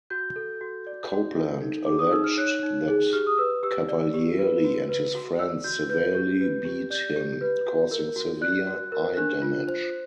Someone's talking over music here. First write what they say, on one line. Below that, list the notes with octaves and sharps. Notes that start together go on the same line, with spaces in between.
Copeland alleged that Cavalieri and his "friends" severely beat him, causing severe eye damage.
F#4 G6
A4
F#4
D5
F#4
A4
D#4
G#4 D6
D#6
D#4 E6
F6
C#5 F#6
D#4
G#4
G4 F6
D#6
B4 E6
G4 E6
D5
G4
B4
F#4
B4
F#4
D5 E6
F#4 G6
B4 G6
G4 G6
B4
G4
D5 G6
G4
B4
F#4
A#4
F#4
D5 F#6
F#4
A#4
D4 F#6
F4
C5